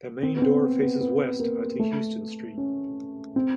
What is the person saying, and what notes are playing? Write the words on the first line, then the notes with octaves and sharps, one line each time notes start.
The main door faces west onto Houston Street.
C4
B3
C4
B3
B3
A#3
A3
C#4
C4